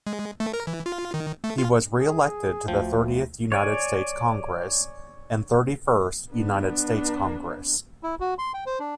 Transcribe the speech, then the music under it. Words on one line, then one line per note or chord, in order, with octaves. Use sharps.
He was reelected to the Thirtieth United States Congress and Thirty-first United States Congress.
G#3
A3
A#4
E3
F4
D#3
A3
F4
G#4
D2 F3 G5
C#5 D5 G#5
B3 D4
E4
F#4
C6
G5
C5
D4